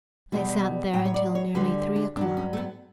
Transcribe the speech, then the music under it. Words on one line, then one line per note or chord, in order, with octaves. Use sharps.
They sat there until nearly three o'clock.
E2 B2 G3
A2 F#3 G5
C#5
D5
C#5
D2 D3 G3 B4
D4
G2 F#3 D4
C#4
A3
B3